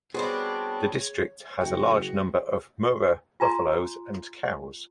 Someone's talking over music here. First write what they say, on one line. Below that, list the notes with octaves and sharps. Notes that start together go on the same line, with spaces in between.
The district has a large number of Murrah buffaloes and cows.
G3 B3 C4 D4 F#4 G#4 C#5
F#1 F#4 G5
F4 G#5 A#5 C6